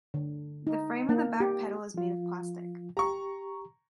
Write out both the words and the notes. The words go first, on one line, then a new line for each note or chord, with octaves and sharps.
The frame and the back panel is made of plastic.
D3
D#4
A#3
G4
F3 F4
G4 A#5 C#6